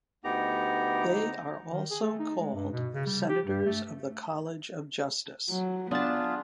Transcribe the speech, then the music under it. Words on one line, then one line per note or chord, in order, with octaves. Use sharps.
They are also called Senators of the College of Justice.
D2 B3 D#4 G4 A#5
D#3
G#4
A3
D#4
G#3
G2
B2
C#3
G3
G4
G2
A3
F#3
B3 D4 F4 G#4 A5